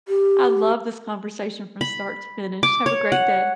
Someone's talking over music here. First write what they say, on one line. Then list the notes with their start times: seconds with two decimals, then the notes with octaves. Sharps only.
I loved this conversation from start to finish. Have a great day.
0.08 G4
1.81 B5
2.63 D6
2.86 C#5
3.12 F#5